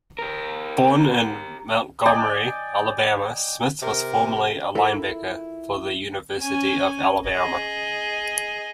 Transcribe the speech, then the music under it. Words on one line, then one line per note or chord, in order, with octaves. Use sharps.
Born in Montgomery, Alabama, Smith was formerly a linebacker for the University of Alabama.
G4 A#4
D5 D#5 G5 G#5
C3 A#4
E4 F4 A4 A#4 E5
C#4 G#5
G#4 D#5